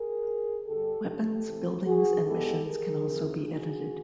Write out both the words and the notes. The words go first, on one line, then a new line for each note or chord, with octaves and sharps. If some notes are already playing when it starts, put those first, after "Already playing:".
Weapons, buildings and missions can also be edited.
Already playing: G#4 A#4
G2 D3 G3 G4 A4
G4 A4
C3 E3 A3
F#4 G#4
G2 E3 G#3 B3 G4 A4
G#4 A#4
F2 C3 F3
F#4 G#4